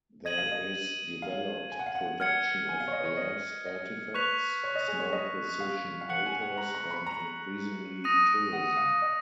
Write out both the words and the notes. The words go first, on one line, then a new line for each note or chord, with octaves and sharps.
There is developed production of glass artifacts, small precision motors and, increasingly, tourism.
D#5 G#6 D#7 F#7
F5
D#5
F5
G#5
F#5
F5
F#5
F#5 F6 G#6 C#7
G#5
F5
C#5
D#5
B4
C#5
D#5
D#5
B4 C#6 F#6 B6 F7
C#5
D#5
G#4
C#5
D#5
F5
F5
F#5 F#6 C#7 F#7
G#5
F#5
A#5
A#5
B5
A#5
D#6 A#6 D#7
F#5
F5
D#5